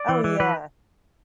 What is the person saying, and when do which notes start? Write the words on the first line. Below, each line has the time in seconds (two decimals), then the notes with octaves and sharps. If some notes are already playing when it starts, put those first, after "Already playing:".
Oh, yeah.
Already playing: D5
0.09 E3
0.24 E3
0.40 E3 B4